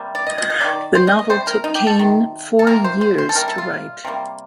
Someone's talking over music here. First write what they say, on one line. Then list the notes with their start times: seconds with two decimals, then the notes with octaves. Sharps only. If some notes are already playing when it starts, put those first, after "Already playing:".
The novel took Cain four years to write.
Already playing: C3 G3 A#3
0.15 D5
0.27 D#5
0.38 D#5
0.50 D#5
0.61 A#3 D5
0.64 D#3
0.95 C5
1.07 D#5
1.19 D#5
1.29 C3 G3 C5
1.47 A#4
1.64 D#4
1.75 G4
1.87 A4
1.99 C3 D#3
2.59 A4
2.67 C3 G3 A#3 A#4
2.84 C5
3.01 C5
3.18 C5
3.29 A4
3.35 C3 G3 A#3 A#4
3.48 A4
3.58 F4
4.05 C3 G3 A#3